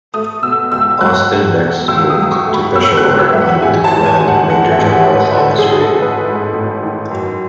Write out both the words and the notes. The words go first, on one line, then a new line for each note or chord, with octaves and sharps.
Austen next moved to Peshawar under the command of Major General Thomas Reed.
A3 D#6
B2 E6
C#2 E6
F#3 F#6
A3
B2
C#2 E6
D#6
F#3
C#6
A3
B5
B2 E6
F#6
C#2
E6
F#3 E5
F#5
A1 G#5
A5
G#2
G#5
A1
F#5
D#3 F#5
E5
A1
F#5
G#2
B4
A1 A4
G#4
D#3
A4
A1
B4
G#2
A1
D#3
F#2